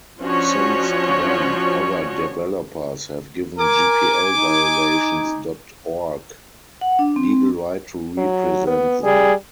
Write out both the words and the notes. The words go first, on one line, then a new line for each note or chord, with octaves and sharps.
Since then, other developers have given gpl-Violations dot org legal right to represent them.
F3 C#4 D4 F#4 C#5
A#4 G#5 D6
D#4
F#5
D4
C4
F#3
B3
G3 G#4